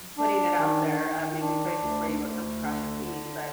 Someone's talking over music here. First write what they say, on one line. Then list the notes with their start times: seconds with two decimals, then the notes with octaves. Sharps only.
putting it out there, um, making choices for you what comes across your feed. But,
0.18 D4
0.59 D#3
1.00 D#3
1.41 D4
1.82 D2
2.22 D2
2.63 D3
3.03 D3